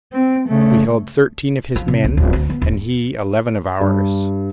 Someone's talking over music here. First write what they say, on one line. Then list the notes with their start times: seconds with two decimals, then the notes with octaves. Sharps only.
We held thirteen of his men, and he eleven of ours.
0.13 C4
0.48 C#3 A3
1.76 F3
1.88 C3
2.04 C2
2.17 D1
2.33 D2
2.50 B3
2.62 D#1
3.81 G2